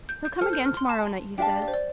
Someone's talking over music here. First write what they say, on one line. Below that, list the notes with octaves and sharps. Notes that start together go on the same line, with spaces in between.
'He'll come again to-morrow night, he says.
G6
G6
A4 C5 A5 F6
G6
F6
C6
A5
D4 G4 F5 G5 A5
D5
D5
C5
D5